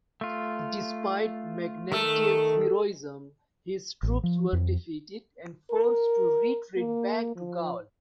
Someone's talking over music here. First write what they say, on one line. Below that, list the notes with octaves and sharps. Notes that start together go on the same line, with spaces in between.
Despite Magnentius' heroism, his troops were defeated and forced to retreat back to Gaul.
A3 F4
D#3 A3 A#4 E6
A1
F3
F2
A#4
A#3
F3